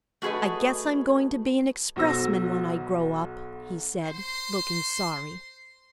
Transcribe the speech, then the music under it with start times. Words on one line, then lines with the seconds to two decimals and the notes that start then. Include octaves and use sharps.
'I guess I'm going to be an expressman when I grow up,' he said, looking sorry.
0.22 A3 F#4 G#4 B4 D#5
1.96 B1 F#3 F#4 C5 E6 A#6
4.04 C5 C6